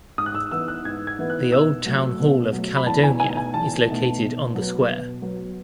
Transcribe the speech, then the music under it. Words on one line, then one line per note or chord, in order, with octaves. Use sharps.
The Old Town Hall of Caledonia is located on the square.
G#2 D#6
F#6
E6
E3 B3 D#4 E6
F#6
G#2 G#6
G#6
E3 B3 D#4
F#6
B2 E6
F#3 A3
B2
F#3 A3
B5
E2 A5
G#5
B2 A3 D#4 G#5
G#5
E2 A5
B2 A3 D#4
B2
F#3 B3
B2
F#3 B3